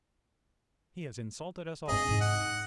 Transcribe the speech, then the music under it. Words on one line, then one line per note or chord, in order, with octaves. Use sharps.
He has insulted us all.
G2 C4 G#4 D#5
G#2
F#5